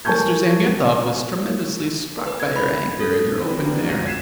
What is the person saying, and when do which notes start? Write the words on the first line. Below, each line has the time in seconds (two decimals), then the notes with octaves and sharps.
Mr. Zametov was tremendously struck by your anger and your open daring.
0.05 A#4 G#5 A5 C#6 G6 G#6
2.26 B4
2.40 G#6
2.56 B5
3.00 A4
3.45 B3 C4 F#4 G4 B4
3.65 A#3 C4 D4 F#4 G#4
3.86 B1 G#2 F4 A#6 D#7
4.05 G#6 B6 C7 D#7 E7